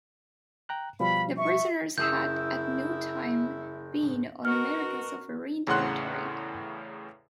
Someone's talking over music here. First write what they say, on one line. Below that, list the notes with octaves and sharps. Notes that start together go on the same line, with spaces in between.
The prisoners had at no time been on American sovereign territory.
G5 A#5 F#6
B2 F3 G3 F5 B5
E5 C#6
F#1 E4 D#6 E6 G6
B2 F#4 A#4 F6
E2 A2 C#3 F#5 C6 F#6